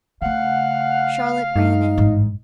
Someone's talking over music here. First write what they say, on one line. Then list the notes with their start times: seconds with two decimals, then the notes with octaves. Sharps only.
Charlotte ran in.
0.22 C#3 A3 F5 F#5
1.56 G2 D#4
1.97 A1 G#2